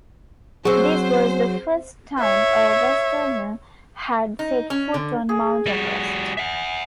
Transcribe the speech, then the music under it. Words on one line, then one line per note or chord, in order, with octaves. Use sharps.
This was the first time a Westerner had set foot on Mount Everest.
F#3 C4 F#4 G#4 C5
C#5 E5
D#4
C#4
D3
G#4
G3 F#4
E5 F#5